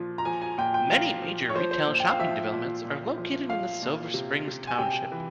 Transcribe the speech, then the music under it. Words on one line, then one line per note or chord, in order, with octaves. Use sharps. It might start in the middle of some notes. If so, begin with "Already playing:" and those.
Many major retail shopping developments are located in Silver Spring township.
Already playing: A#2 F3
A#5
F3 G#5
G#5
A#2 G5
G5
F3 F5
F3
C#5
F3 C5
C5
A#2
G5
F5
F3 E5
A#2
A#2
F3
F3 F5
A#2
C3
C3
G#5
C3 G5
E3